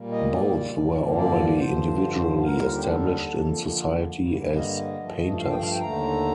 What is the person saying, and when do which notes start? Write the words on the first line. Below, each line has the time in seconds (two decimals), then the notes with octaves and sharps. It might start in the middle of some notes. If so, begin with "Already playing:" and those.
Both were already individually established in society as painters.
Already playing: A#2 G3 A#3
0.12 D#5
0.33 D5
0.75 G2 D3 F3 A#3
1.18 D5
1.59 G2 D3 F3 C5
2.43 D#2 D3 G3 A#4
2.61 F4
2.74 G4
2.86 A4
3.28 F2 D3 F3 A#3
4.12 G2 D3 G3 A#3
4.54 D#5
4.97 G2 F3 A3
5.39 F5
5.50 G5
5.61 F5
5.71 G5
5.81 D#2 D3 A3 A#5